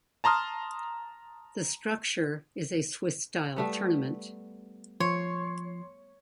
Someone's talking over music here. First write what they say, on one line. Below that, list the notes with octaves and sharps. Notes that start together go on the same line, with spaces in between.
The structure is a Swiss-style tournament.
A5 A#5 C6 D#6 F6
G3 A3 B3
F3 C#5 C6